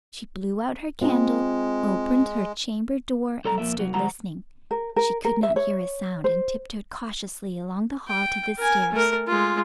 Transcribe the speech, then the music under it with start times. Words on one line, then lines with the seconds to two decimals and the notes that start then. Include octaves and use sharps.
She blew out her candle, opened her chamber door and stood listening. She could not hear a sound, and tiptoed cautiously along the hall to the stairs.
1.01 G#3 C4 F4
3.45 C2 A4 D5 A#5
3.58 A#2 F3 A#3 E5
3.78 C2 F#3
3.94 D2 F3 G#3 F#5 A#5
4.71 A#4
4.96 A#4
5.25 A#4
5.43 E5
5.56 C#5
6.24 C5
8.08 G5
8.58 A#4 G#5
8.92 A3 A#4
9.27 G#3 F4